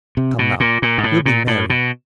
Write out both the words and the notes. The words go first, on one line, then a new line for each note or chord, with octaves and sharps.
Come now, we'll be merry.
C3
B2
A#2
A#2
G#2
A2
A#2
A2
B2